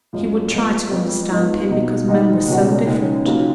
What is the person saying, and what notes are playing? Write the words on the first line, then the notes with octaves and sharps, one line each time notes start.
She would try to understand him because men were so different.
F#2 F3 G#3
A#2 F3 G#3 B3
F2 F3 G#3 B3 F4
G#2 F3 G#3 B3 D#4
B2 A#3 D#4
D#2 D#3 G#3 D#4 F#4
C#2 B2 G#3 C#4 F#4
D#2 C#3 G#3 C#4
D#2 C#3 F#3 A#3 F4